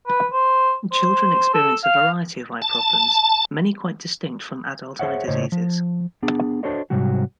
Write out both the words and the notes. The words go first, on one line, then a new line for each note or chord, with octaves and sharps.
Children experience a variety of eye problems, many quite distinct from adult eye diseases.
B4
C5
C5
A4
F5
A5
G#4 C5 C#5 E5 F#5
A2 C#3 C5 C#5 D#5
F3
B3 D4 G#4
D4 F#4 A4 C5 C#5 D#5
G#2 C3 F#3 G3 F#4